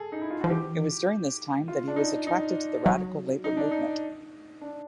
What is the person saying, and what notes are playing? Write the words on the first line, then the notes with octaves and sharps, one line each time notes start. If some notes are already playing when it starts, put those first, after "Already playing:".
It was during this time that he was attracted to the radical labor movement.
Already playing: G#4 A4
D#4
E4
F4
F3 F#4
E3 G4
F4
D4
D#4
D#4
F#3
D#4
D4
D#4
D4